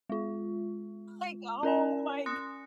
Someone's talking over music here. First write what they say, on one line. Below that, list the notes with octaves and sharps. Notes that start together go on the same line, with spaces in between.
like, oh my g
G#3 F4
C#4 A#4 D5 G#5
C6 D#6 F#6 A#6 C#7